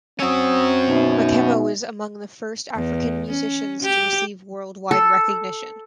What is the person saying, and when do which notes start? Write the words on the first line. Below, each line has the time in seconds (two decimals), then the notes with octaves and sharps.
Makeba was among the first African musicians to receive worldwide recognition.
0.20 C4 C#4 F#4 D#6 E6
0.88 B2 D#4 E5
2.76 E2
3.31 C#4
3.83 G4
4.91 A4